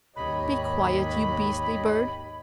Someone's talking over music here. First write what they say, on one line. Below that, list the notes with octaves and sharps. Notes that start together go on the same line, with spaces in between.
"Be quiet, you beastly bird!"
D#2 G#2 G4 C#5 D#5 B5